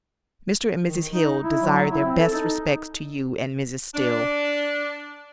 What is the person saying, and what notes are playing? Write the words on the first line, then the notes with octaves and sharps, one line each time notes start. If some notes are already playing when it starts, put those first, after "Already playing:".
Mr. and Mrs. Hill desire their best respects to you and Mrs. Still.
D#3
D#4
E4
F#3
E4
C4
A4
D#4
D4